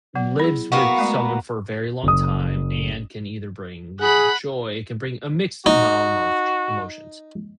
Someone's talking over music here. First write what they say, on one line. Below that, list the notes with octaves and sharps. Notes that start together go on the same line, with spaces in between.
lives with someone for a very long time and can either bring, you know, joy it can bring a mixed amount of sh emotions.
F#3 B3
E4 G#4
A#3 B3 F#4 G5
G#3 A3 F5
F#1 D#6
G#4 F#5 B5
D#4 F#4